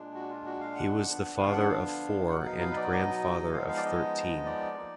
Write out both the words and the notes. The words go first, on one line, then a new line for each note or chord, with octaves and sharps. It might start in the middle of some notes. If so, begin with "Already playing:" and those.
He was the father of four and grandfather of thirteen.
Already playing: A#2 G#3 D4
F#4
F4
F#4
F5
F#5
D3 F3 B3 D4
F5
F#5
F5
B2 F#3 B3 D#4 F#5
F5
F5
B4
D5
D#5
F3 G#3 B3 D#4 F5
F5
D5
D#5
D5
F3 A#3 D#4